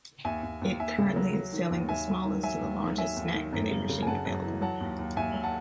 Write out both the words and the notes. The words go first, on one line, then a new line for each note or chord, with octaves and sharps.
It currently is selling the smallest to the largest snack vending machine available.
D#2 E5 G#5
D#2
D#2
D#2 E5 G#5
C#3
F#3
F#3
D#3
D#2
D#2 E5 G#5
F#3
D#3
F#3 E5 G#5
D#2
D#3
F#3 E5 G#5
D#2
D#3
F#2
C#3
C#3
G#5
F#2 F#5 A5
F#2
E3
F#3 F#5 A5
D#2
D#2
D#2 E5 G#5
F#3
F#5 A5